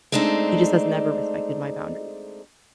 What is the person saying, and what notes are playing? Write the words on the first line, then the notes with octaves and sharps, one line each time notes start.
he just has never respected my boundaries.
G#3 A3 C4 D4 D#4